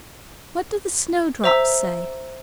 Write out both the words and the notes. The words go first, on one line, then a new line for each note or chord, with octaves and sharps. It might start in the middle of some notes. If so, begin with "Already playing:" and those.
What did the Snowdrops say?
C5 E5 A#5 E6 B6